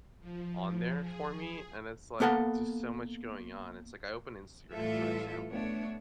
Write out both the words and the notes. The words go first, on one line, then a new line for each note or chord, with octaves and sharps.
on there for me and it's like just so much going on and it's like I open Instagram for example,
F3
G#4
A#3 B3 A4 F5 F#5
A2 E3 G3 F4 A4 E5
A3 B3 D4 C#5